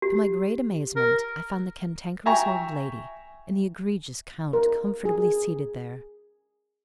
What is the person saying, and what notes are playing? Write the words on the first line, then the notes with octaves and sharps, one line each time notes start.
To my great amazement, I found the Cantankerous Old Lady and the egregious Count comfortably seated there.
G4
A#4
E5 G5 G#5 A#5 C#6
A#4
G#4